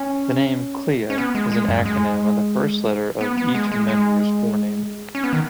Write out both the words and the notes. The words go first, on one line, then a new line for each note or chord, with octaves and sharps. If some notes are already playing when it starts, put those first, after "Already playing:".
The name 'Clea' is an acronym of the first letter of each member's forename.
Already playing: C#4
C#4
B3
G#3
G#3
F#2
G#3
B3
B3
G#3
G#3
G#3
C#4
B3
D#3